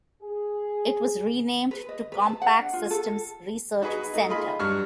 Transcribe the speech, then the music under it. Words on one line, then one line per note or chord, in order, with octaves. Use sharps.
It was renamed to "Compaq Systems Research Center".
G#4
B4
D#5
B4
A5
F#5
D4
F4
A4
D#4 F#4 G#4 B4 D#5
A3 D#4
F4 G#4 D#5 B5
G2 F#3 G3 F#4 C#6 F6